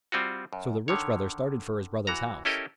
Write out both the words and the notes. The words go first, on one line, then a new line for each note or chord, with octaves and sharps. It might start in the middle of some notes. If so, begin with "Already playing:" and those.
So the Rich Brother started for his brother's house.
G3 C4 F4 F#4
F#2
D3 D#3 C#5
E3 F#4 A#5
C#4 E4 G4 A4 A#4 D#5